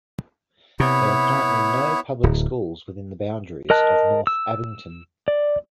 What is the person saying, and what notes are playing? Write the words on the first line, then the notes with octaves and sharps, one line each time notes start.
There are currently no public schools within the boundaries of North Abington.
C3 B3 E4 C#5
D1
A#4 D#5 A5 F#6
E6
D5